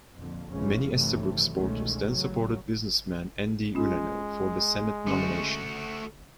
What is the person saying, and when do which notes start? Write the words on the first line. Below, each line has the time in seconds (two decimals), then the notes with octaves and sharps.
Many Estabrook supporters then supported businessman Andy Unanue for the Senate nomination.
0.18 F2 A#2 D3 F3
0.51 F1 C#3 E3 F3 G#3 C#4
0.93 G2 C3 D#3 E3 F#3 A3
1.54 C2 B2 D#3 G#3 A3 C#4
2.07 A1 C#3 F#3
3.75 G#3 C#4 F4
5.07 D3 A3 C#4 F#4